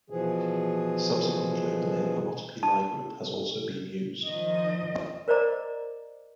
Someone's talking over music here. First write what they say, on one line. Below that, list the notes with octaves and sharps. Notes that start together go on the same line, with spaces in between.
Subsequently the name homotopy Lie group has also been used.
B2 E3 F3 G#4
A5
D#3 F3 D#5
A#4 C5 D5 D#5 A#5 D6